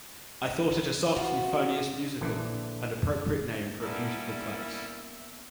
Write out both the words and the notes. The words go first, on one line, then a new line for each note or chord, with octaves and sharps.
I thought it a soft, euphonious, musical and appropriate name for a beautiful place.
F4 F#4
A#1 D3 E3
G3 A#3 B3 C#4 D4 E4 A#4 E5